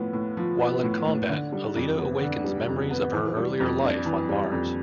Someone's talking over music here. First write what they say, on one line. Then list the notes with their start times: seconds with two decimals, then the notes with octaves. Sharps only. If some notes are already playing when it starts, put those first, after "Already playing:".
While in combat, Alita awakens memories of her earlier life on Mars.
Already playing: A2 F3 B3
0.13 A2
0.37 F3
0.60 B3
0.83 A2
1.06 A2
1.29 D3
1.52 G3
1.76 F2
1.98 B3
2.22 D3
2.44 G3
2.68 F2
2.90 B3
3.13 E3
3.37 G3
3.60 F2
3.83 D4
4.06 E3
4.29 G3
4.52 F2